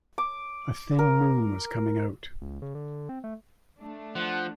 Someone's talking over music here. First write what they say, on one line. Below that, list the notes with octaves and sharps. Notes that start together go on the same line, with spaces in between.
A thin moon was coming out.
D6
A#4
C#2
C#3
D3
C4
A3
A3 D4
F3 F#5